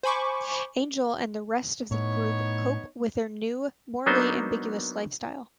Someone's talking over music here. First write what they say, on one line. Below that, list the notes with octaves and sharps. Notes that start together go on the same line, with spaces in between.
Angel and the rest of the group cope with their new, morally ambiguous lifestyle.
C5 G#5 B5 C#6 D6
A2 B3 D#4 C#5
F#3 A#3 B3 D4 D#4 C5